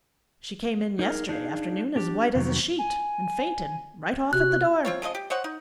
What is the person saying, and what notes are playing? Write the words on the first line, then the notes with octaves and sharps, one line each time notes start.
She came in yesterday afternoon as white as a sheet, and fainted right off at the door.
D#4 G#4 A#4
D4 D#4 G#4 F5
D4 G4
F2 C3 D#3 F#3
G#5
C3 F#4 F#6
C4 F4 C#5
C#3 F3 G#3 D#5
G4
C5 C#5 D#5 F#5
D#4